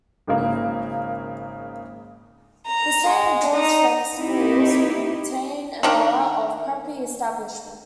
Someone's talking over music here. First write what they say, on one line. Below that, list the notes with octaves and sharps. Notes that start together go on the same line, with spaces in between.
The Saint Grottlesex schools retain an aura of preppy establishment.
G#1 C#3 A#3
A#5
G#3
D#4
C4 D#4 E4 G4
D#3 D4 A#4